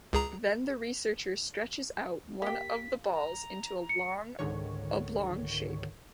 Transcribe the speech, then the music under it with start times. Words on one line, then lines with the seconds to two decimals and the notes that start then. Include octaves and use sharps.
Then the researcher stretches out one of the balls into a long oblong shape.
0.13 C#2 G#4 A#5
2.42 A#3 G4 B6
3.13 A#5
3.89 C#7
4.39 C#2 G#2 D3 D#3 C#5